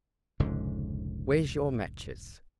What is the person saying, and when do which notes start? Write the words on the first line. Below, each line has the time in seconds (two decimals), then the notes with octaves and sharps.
Where's your matches?
0.40 F1 C#2 G#2 D3